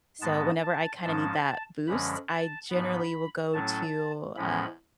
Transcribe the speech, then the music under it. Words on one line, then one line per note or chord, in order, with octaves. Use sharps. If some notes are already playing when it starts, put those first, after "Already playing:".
so whenever I kinda need that boost, I generally will go to, uh,
G#2 G#3 B3 A5
A5
G#2 F3 G#3 C#4 A5
F#2 D3 F3 G#3 C#4 B5
A5
G#2 F3 B3 B5
A2 F#3 A3 C#4 A5
A2 F3 G#3 C#4 B5